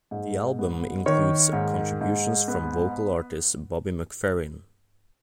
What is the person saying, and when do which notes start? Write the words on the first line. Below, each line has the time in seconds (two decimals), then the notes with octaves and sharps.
The album includes contributions from vocal artist Bobby McFerrin.
0.11 G#2
0.59 B3
1.06 D#3 C#5
1.53 G#2
2.01 G#2
2.48 B3